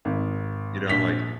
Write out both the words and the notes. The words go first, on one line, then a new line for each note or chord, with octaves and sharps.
you know, I'm like,
G#1
A#1 B6 F7